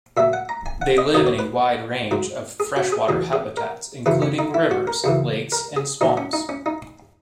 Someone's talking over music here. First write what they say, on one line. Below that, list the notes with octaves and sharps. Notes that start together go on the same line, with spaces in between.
They live in a wide range of freshwater habitats, including rivers, lakes, and swamps.
A#2 F#3 E5
F#5
A#5
G#5
F#5
D#5
F#2 D#3 F#3 D#5
C#5
B4
G#2 F#3
G#4
F#4
G#4
E2 B2 F#3 G#4
G#4
A#4
F#2 C#3 E3 B4
C#4
D#4
E4
F#4
A#4
F#2 C#3 E3
A#4
G#4
A#2 F#3 D#4
C#4
D#4
C#4
D#4